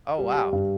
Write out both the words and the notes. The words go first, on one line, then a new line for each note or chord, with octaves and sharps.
Oh, wow.
G3
G3
G2